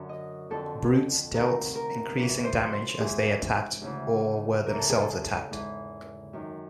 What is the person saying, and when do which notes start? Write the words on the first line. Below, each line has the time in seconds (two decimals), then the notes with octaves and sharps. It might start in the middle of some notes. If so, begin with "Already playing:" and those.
Brutes dealt increasing damage as they attacked or were themselves attacked.
Already playing: F#2 D3
0.09 D#5
0.50 F2 D3 A4
1.34 D2 C3 D#3 A#4
1.75 A#4
2.16 F#2 C#3 E3 B4
2.44 C5
2.72 C5
3.00 G#2 E3 G#4
3.82 D2 C#3 E3
4.66 E2 C#3 E3 A#4
4.78 A4
4.90 G#4
5.01 A4
5.50 G#2 E3
6.33 F#2 D#3